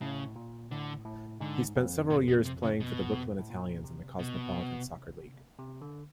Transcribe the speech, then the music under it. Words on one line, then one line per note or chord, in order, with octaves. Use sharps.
He spent several years playing for the Brooklyn Italians in the Cosmopolitan Soccer League.
A2 C#3
A#2
A2 D3
A2
G#2 D3
F2
A#2
B2
C3
C#3
B2
A2
A#2
C3
B2
C3
D3